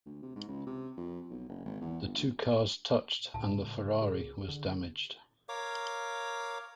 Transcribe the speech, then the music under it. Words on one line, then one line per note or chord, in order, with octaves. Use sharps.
The two cars touched and the Ferrari was damaged.
D2
C3
G#2
C#2
C3
F2
B1
F#1
G#1
E2
G1
D2
C#2 A2 A5
G#4
D3
A#4 C#5 F5 D6